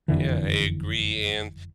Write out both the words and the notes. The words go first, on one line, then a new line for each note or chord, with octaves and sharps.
Yeah, I agree, and
F#1 F2 D3 E3